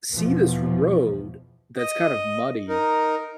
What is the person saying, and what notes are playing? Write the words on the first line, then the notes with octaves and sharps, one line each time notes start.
see this road that's kind of muddy,
E2 B2 E3 F3
D#5
D#4 A#4